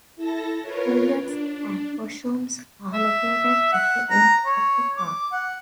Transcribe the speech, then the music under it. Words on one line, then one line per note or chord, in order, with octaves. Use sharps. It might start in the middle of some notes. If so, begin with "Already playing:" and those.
Toilets and washrooms are located at the ends of the car.
E4 A4 A5 A#6
F4 A#4 B4 C#5
D4
E5
F#5
A#5
C#5
D6
F#5